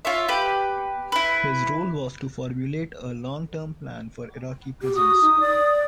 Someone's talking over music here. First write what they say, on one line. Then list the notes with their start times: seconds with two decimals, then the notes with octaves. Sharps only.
His role was to formulate a long term plan for Iraqi prisons.
0.05 F4 C#5 E5
0.29 G4 B4
1.12 E4 B4
4.82 G4
4.96 F#4 D#6
5.22 D#4
5.40 D5